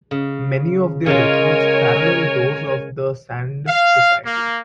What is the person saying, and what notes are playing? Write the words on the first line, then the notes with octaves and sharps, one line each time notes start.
Many of their rituals parallel those of the Sande society.
C#3
C#3 G#3 F4 A#4 C#5 G#5
F5
A#3